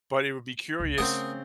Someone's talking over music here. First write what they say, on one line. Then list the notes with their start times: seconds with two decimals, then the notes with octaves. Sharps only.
but it would be curious
0.80 F#1 C#2
0.98 C#3 A3 B3 C4 A#4 D#5 F#5